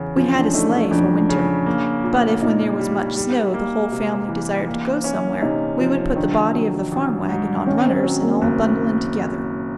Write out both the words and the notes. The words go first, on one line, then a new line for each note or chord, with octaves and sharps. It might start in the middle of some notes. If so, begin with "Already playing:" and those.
We had a sleigh for winter; but if, when there was much snow, the whole family desired to go somewhere, we would put the body of the farm wagon on runners and all bundle in together.
Already playing: E2 C#3
F3 C#4
D4
A3 D#4
D4
F2 D4
C#3
A#3
A#2
A#2 D#4
G3
G3
A#3
C3
E3
A#3
C#4
C3 D#4
F3
D#3 D4
F#3
A1
G#2
D#3 C#4
C4
F#3 C4
A#3
F#1